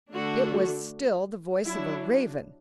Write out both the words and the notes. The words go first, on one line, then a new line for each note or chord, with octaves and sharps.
It was still the voice of a raven!
D3 A3 D4 F#4
F#3 D4 E4